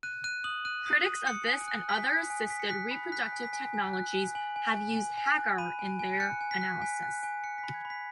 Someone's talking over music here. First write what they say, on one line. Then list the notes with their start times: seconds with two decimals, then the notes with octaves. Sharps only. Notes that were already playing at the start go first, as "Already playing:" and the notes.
Critics of this and other assisted reproductive technologies have used Hagar in their analysis.
0.03 F#6 D#7
0.24 F#6 D#7
0.44 D#6 F#7
0.65 F#6 D#7
0.86 D#6
1.06 D#6
1.27 D#6 C#7
1.47 G#5
1.68 F#6
1.88 G#5 B6
2.09 F#6
2.30 G#5
2.50 G#5 B6
2.60 C#7
2.69 F#6 B6
2.91 B5
3.12 F#6 B6
3.32 G#5
3.43 B6
3.53 G#5
3.74 G#5
3.93 F#6
4.14 G#5
4.35 G#5 F#7
4.56 G#5
4.76 G#5
4.97 G#5
5.18 G#5
5.38 F#6
5.58 B5 D#7
5.79 G#5
5.99 G#5
6.20 F#6 C#7
6.41 G#5
6.51 B6
6.61 F#6
6.81 G#5 B6
7.02 F#6
7.23 G#5
7.44 F#6 C#7
7.58 B6
7.64 B5
7.74 G#6
7.85 B5
7.90 B6